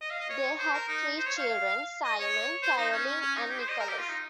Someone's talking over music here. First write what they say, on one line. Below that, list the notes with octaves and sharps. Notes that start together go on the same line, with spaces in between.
They had three children, Simon, Caroline, and Nicholas.
D#5
F5
D#5
C#5
C5
A#4
D#4
C5
C#5
F5
D#5
C#5
C5
D#4
C#4
C#4
C#4
D#4
G4
C5
D#5
A#4
G4
F4
D#4